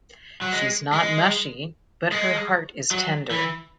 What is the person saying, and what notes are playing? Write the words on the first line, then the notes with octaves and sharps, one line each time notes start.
She's not mushy, but her heart is tender.
F#3
G#3
G#3
G#3
F#3
E3